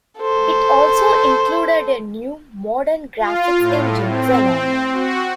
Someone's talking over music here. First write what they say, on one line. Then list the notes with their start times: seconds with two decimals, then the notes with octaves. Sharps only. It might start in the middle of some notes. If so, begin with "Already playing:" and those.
It also included a new, modern graphics engine, Xenon.
0.19 A4 C5
3.18 F4
3.58 A2
4.07 C4
4.92 F#4